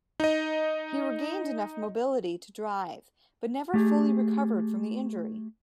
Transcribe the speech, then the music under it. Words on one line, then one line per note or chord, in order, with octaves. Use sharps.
He regained enough mobility to drive but never fully recovered from the injury.
D#4 D#5
A3 G4 G#4